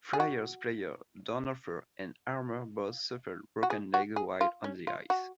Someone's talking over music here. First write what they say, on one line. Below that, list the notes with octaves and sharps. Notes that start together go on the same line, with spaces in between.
Flyers players Dornhoefer and Harmer both suffered broken legs while on the ice.
G#4
F#4
F#4
G#4
F#4
G#4
F4
C#4
F4
F#4